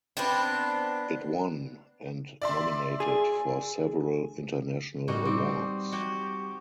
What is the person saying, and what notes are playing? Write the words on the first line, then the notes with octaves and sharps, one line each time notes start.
It won and nominated for several international awards.
B3 C4 D4
D5 E5 C6
G#4
A2 G3 D#4 F#4
G3 C4 D6
F#4 G4